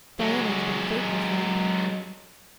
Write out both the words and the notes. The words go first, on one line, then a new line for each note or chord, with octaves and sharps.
Diana has been a faithful friend.
F#3 G#3